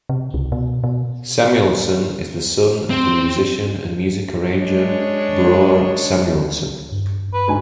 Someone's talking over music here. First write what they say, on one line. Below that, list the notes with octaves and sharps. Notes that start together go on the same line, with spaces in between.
Samuelson is the son of the musician and music arranger Bror Samuelson.
C3
C#2
B2
B2
C4
G#3 D4 C#5
G2
B4
D2 G#2 G#5